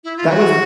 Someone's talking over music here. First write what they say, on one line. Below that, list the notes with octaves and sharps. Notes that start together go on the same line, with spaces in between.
That was
E4
F4
F#4